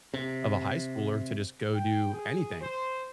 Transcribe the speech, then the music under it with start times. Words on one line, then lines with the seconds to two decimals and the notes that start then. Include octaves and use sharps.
of a high schooler to just go do anything,
0.14 C3
1.74 G5
2.13 G#4
2.61 C5